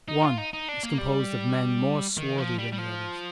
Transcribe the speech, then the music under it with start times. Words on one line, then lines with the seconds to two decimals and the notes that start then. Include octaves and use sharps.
One is composed of men more swarthy than the others.
0.08 D#4
0.23 F4
0.38 D#4
0.53 D#4
0.69 D4
0.83 A#3
0.98 G3
2.18 D#3
2.38 F3
2.59 G3
2.73 G3
2.78 F3